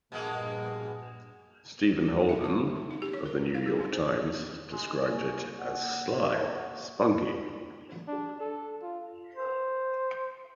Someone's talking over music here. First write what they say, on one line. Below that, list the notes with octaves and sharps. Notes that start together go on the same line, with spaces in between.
Stephen Holden of "The New York Times" described it as "sly, spunky".
A#1 G2 B2 G#3 A#3
E5
A5
D#4
D#4
G4
C#5
A#4
F5
G#4
D#4
C5
G#3
A#3 C#4
F#5
F#4
D4
A4
F4
C5